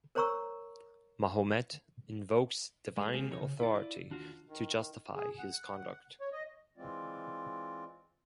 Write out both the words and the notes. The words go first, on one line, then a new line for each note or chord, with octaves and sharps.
Mahomet invokes divine authority to justify his conduct.
A#4 C5 C#5 A#5 C#6 E6
G#3 G#4
G#3 A#3 C4 F#4 G#4
F2 C3 D#4 A#4 C#5
C#3
E4 F4 D5
D#2 D4 F4 F#4
D#3
G#4
F#5
C#5
D#5
E3 G#3 C4 F4 D5